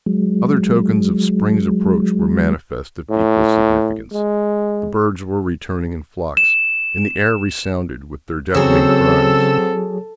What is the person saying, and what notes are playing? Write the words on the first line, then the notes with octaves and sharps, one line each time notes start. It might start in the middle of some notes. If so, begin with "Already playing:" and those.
Other tokens of spring's approach were manifest of equal significance, the birds were returning in flocks, and the air resounded with their deafening cries.
F#3 G#3
A2
G#3
E7
C#3 F#3 C4 F#4 G#4 A4 C#5 E6